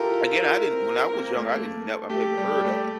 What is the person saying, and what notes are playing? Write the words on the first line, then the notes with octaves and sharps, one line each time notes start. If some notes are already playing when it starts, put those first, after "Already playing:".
Again, I didn't When I was young, I didn't even ne I've never heard of it.
Already playing: E4 F4 G4 A4 A#4
F4
E4
C4
A#3
C4
A3
A#3
A3
A3 G4
G3
G3
A3